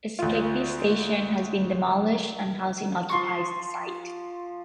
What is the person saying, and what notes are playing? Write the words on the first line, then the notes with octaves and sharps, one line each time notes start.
Skegby station has been demolished and housing occupies the site.
D2 F4
F3 C6 C#6